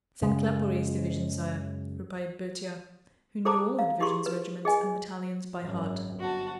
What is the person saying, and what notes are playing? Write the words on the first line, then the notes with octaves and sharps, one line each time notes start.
"Send Claparede's division, sire," replied Berthier, who knew all the division's regiments, and battalions by heart.
F#2 C#3 G#3
G#4 A4 C5 A5 A#5 D6
F5 A#5
E4 G4 G#4 C6 C#6
B4
G#4 D#5 G#5
G#1 F#2
G1 F#4 A5